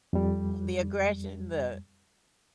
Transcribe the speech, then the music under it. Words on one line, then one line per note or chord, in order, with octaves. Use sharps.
The aggression the
F2 G3